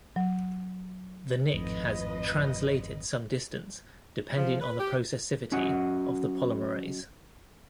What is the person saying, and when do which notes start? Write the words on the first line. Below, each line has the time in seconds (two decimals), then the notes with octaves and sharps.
The nick has "translated" some distance depending on the processivity of the polymerase.
0.16 F#3
1.53 G#1 F2 A2 F3 B4 D#5
4.37 F3
4.60 B4
4.78 G4
5.52 F#3 C#4 F#4 D#5 F#5